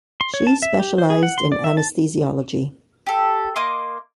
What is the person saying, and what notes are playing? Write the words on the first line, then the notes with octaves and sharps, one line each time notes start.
She specialised in Anesthesiology.
C6
C#5
A5
E5
G4
C5
G#4
F#5
C6
D5
E5
A5
G4 A4
A#3 D#5 C6 D6